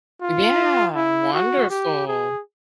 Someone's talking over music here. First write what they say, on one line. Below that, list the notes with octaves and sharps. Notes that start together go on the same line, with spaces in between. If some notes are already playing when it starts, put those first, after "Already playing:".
Yeah, wonderful.
F4
E4
F#4
G4
G#4